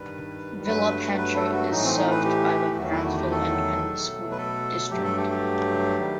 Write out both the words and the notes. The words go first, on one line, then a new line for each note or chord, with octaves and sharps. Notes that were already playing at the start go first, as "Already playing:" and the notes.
Villa Pancho is served by the Brownsville Independent School District.
Already playing: G2 D#3 G3 B4
G2 F#3 A3 B4
B4
A4
F#4
A2 E3 A3 D#4
C4
D#4
B4
G4
E2 D#3 F#3 A3 F#4
E4
F#4
G4
A4
B2 F#3 A3
B4
A4
G2 F#3 A3 G4
A4
G4
G4
D#3 G3